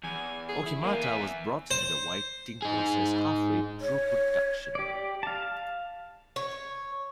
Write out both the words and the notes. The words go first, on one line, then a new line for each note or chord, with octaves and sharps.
Okimata was brought into the writing process halfway through production.
E2 G#5
G#4
E4
E2 A#3 G#5
E5
C5
D#4 G#4
C#5
G4 D5
F5 A5
C#5